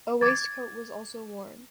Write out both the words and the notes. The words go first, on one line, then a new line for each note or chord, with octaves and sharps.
A waistcoat was also worn.
D6 G#6 A6